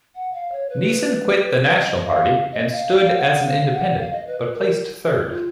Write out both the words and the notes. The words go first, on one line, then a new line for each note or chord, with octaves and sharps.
Neeson quit the National Party and stood as an independent, but placed third.
F#5
F5
C#5
B4
D#5
F5
D#5
F5
F5
F#5
F5
F#5
F5
D#5
B4
B4
A#4
G#4
F4